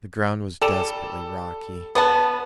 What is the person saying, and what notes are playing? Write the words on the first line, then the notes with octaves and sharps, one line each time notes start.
The ground was desperately rocky.
G3 A4 E7
B3 B4 F#5 A5